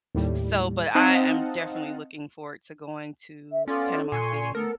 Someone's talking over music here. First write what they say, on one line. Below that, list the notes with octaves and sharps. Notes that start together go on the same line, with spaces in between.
So But I am definitely looking forward to going to Panama City.
D#2 A2 G3
C4 D#4 D#5 F5 F#5 A5
E5
B3 C#4 F4 A4 D5
A#2 G#5 C6 C#6
A3 B3 A4 A#4